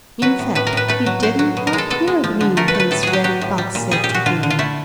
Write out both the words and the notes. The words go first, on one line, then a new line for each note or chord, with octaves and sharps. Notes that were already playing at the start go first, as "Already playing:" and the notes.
In fact, he didn't half hear the mean things Reddy Fox said to him.
F#3 B4
A2
A2 B4
A#4
A2 B4
A3 B4
F#3
F#3 C5
F#3
B2
A#4
G#3
A4
B2 A4
G#3
F3
D3
A3 A#4
B4
A3
B4
A2 A4
F#3 G#4
G4
F#3 G4
A2
G3
A#2
G3 G#4
G4
A#2
F#4
D3 F4
D3
F4
A3 E4